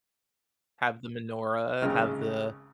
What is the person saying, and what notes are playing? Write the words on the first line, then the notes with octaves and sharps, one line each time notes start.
Have the menorah, have the
G#1 C#3 F6